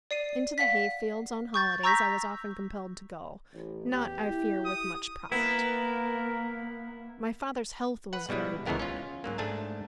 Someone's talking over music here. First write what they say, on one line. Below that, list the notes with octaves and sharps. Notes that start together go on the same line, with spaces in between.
Into the hay-field on holidays I was often compelled to go,--not, I fear, with much profit. My father's health was very bad.
D5 C7 D#7
F5 F#5 B6
C#6 G6 A6
A#5 C#6 E6 G6 A#6 B6
A1
E2 G4
E4
D#6
A#3 B3 E4 A#4
B4 F#5
B2 G3 G#3 E4
C#2 E3 G#3 B3 A#4
C#4 F4
G#2 F#3 A#3
G#2 A3 D4 G#5 A5